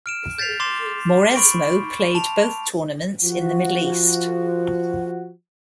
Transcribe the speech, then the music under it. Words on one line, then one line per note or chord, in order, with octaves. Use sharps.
Mauresmo played both tournaments in the Middle East.
F6 D7 E7
G6 A6 B6 C7 F7
C6 D6 A6 C7 E7
B5 C#6 D7
A5 F7
F3 F#4